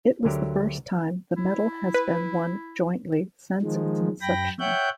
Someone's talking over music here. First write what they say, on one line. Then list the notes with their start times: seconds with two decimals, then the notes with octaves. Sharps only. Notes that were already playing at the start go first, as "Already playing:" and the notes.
It was the first time the medal has been won jointly since its inception.
0.25 D2 D3 F#3 G4 A#4
1.37 E4
1.94 B4
3.62 D#3 F3 G#3
4.21 F#2 G5 B5 A#6
4.60 C#5 E5 F#5 G5 F#6 G6